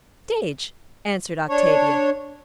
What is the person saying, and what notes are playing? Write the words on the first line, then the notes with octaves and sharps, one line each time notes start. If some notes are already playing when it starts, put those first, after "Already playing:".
"Stage," answered Octavia.
D4 C#5